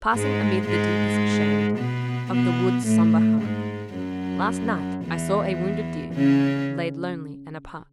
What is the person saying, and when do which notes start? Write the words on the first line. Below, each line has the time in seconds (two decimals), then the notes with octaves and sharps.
Passing amid the deepest shade Of the wood's sombre heart, Last night I saw a wounded deer Laid lonely and apart.
0.13 G#2 G#3
0.68 G#2 G#3
1.78 B2 B3
2.32 B2 B3
2.86 A2 A3
3.41 G#2 G#3
3.96 F#2 F#3
5.05 E2 E3
6.14 C#3 C#4